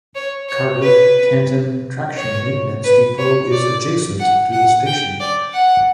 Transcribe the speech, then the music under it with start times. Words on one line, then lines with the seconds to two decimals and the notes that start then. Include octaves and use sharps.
Cardiff Canton Traction Maintenance Depot is adjacent to the station.
0.15 C#5
0.49 C#5
0.82 B4
2.17 C#5
2.84 B4
3.18 C#5
3.52 D5
4.20 F#5
4.52 F#5
4.87 G5
5.20 D5
5.53 F#5